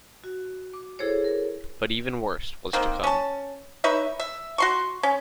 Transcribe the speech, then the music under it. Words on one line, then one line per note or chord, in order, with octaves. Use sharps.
But even worse was to come.
F#4
D6
E4 G#4 A4 C5 C#5
A#4
D#3 A#3 C4
C#4 A5
D#4 B4 C#5 E5
E5
F#4 C6 C#6
C#4